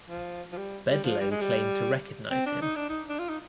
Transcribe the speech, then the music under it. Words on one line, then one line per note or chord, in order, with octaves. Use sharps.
Bedloe claimed to recognize him.
F3
F3
G3
G3
F3
G3
G#3
G3
C4
D4
D#4
D4
D#4
D4
F4
D#4